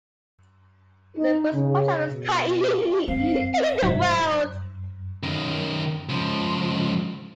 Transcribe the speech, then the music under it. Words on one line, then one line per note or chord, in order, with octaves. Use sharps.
It's the first project of its kind in the world!
D#4
C#3
B2
C4 C5 F5
E5
G#2 C3 F#3 D#4 C5
F#2 D#3
C#2 F3